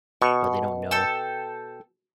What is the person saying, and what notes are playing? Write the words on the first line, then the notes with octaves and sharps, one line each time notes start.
but they don't know,
B2 C#6
A4 G5 E6